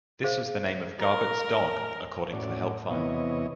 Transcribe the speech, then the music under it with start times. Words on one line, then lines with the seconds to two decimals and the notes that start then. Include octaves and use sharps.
This was the name of Garbutt's dog, according to the help file.
0.24 G#4 C5 F5
0.99 A#4
2.33 A2 C#4 F#4 D5
2.91 E2 C3 E3 B3 C#5 D#5